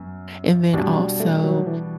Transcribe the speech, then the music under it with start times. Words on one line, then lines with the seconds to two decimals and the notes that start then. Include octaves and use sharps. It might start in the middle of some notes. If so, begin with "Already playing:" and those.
and then, also
Already playing: F#2 B3
0.73 B2 G3 D4
1.20 A3
1.44 F#3
1.67 E3